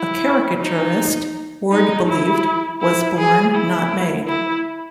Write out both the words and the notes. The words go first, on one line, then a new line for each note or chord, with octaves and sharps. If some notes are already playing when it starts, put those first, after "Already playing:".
A caricaturist, Ward believed, was born, not made.
Already playing: E4
D#4
D#4
E4
E4
G#4
E4
E4